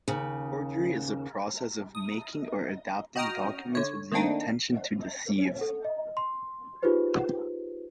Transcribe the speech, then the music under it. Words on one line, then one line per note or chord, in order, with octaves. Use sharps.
Forgery is the process of making or adapting documents with the intention to deceive.
D#2 C#3
D#6
F#4 D#5 G5 A#5 D#6 F6
D3 C#5
D#3 A3 A#3 C4 D4 D#4
A4
D#5
C6
D#4 F4 G4 G#4 B4 C5